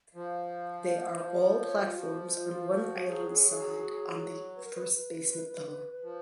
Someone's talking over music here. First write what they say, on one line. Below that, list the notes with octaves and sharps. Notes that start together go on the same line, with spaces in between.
They are all platforms on one island side on the first basement level.
F3 F5
C#5
F4
F#4
F4
F#4
F#3 G#4
B4
A#4
B4
B4
F3